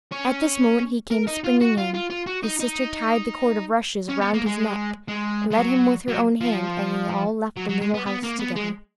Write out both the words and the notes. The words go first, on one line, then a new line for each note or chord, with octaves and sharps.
At this moment he came springing in, his sister tied the cord of rushes round his neck, led him with her own hand, and they all left the little house together.
C#4
A#4
D#4
F4
F#4
F4
F4
F4
F#4
D#4
D#4
C#4
B3
A#3
G#3
G#3
G#3
F#3
F#3
F3
F#3
F#3
G#3
B3
B3
A#3
B3
G#3